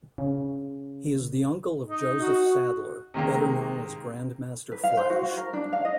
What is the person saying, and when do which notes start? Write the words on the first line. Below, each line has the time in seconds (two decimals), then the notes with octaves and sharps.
He is the Uncle of Joseph Saddler, better known as Grandmaster Flash.
0.18 C#3
1.85 D#4
2.21 F#4
3.14 C3 D#3 G#3 A#3
4.72 B4
4.84 F5
4.97 C5
5.10 F#4
5.23 F5
5.37 A#4
5.53 D4
5.73 F5
5.85 D#5